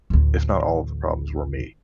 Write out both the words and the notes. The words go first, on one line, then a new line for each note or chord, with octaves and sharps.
if not all of the problems, were me.
A1 D2